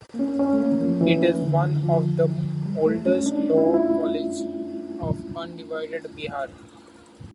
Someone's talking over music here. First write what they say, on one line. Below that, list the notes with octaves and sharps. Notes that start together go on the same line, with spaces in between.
It is one of the oldest law college of undivided Bihar.
A#3
C#4
C#4
A3
A#3
E3
F3
E3
E3
D3
F3
G3
A3
C#4
D4
E4
F4
E4